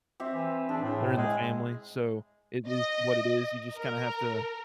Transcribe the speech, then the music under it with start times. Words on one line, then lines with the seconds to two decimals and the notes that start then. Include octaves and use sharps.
they’re in the family, so it is what it is, you just kinda have to
0.20 C4 G4 E5
0.34 E3
0.69 D4 G#4
0.82 A2
1.17 G#3
2.68 D#5
3.75 A#4